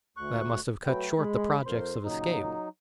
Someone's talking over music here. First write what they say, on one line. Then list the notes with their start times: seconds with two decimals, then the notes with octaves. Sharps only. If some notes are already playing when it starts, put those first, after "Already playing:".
"That must have cut short the projects of escape."
0.17 D2 C#6 F#6
0.85 F#3 A3 B4 G5
1.17 G#3 B5
1.66 F2 A#4 C5 C6
2.04 A#2 C#3 F#3 D#4